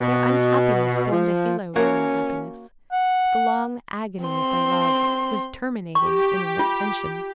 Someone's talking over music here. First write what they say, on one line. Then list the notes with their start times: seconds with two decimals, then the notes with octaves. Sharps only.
Their unhappiness formed a halo round their happiness. The long agony of their love was terminating in an ascension.
0.01 B2
1.11 F3
1.76 A#3 C#4 F#4 A#4 C#5 D#5 E5
2.92 F#5
4.25 C4 C6
5.95 G4 C#6
6.59 F4